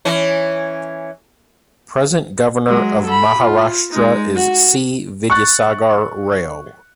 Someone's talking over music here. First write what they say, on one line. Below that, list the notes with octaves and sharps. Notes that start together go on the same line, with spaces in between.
Present governor of Maharashtra is C. Vidyasagar Rao.
E3 C#4
F#3 G#3
A4 B5
F4
G#3 D#4
F#4
C#6 F#6 A6